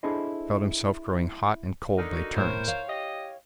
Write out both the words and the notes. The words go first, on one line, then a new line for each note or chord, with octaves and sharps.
He felt himself growing hot and cold by turns.
D4 E4 G#4 A4 C5 D#5
D3 D#3 D#4
F#4
A2 A#4 C5 C#5
C#5 F5
G4 D#5